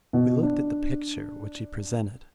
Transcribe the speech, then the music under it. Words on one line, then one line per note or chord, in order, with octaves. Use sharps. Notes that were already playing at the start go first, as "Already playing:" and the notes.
We looked at the picture which he presented.
B2
D4